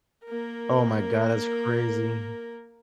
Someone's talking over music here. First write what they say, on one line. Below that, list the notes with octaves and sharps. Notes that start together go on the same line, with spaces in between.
Oh my god, that's crazy.
A#3 A#4